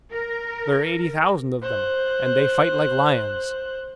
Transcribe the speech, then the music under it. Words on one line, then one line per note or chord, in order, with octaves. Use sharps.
There are eighty thousand of them and they fight like lions.
A#4
C5 F#6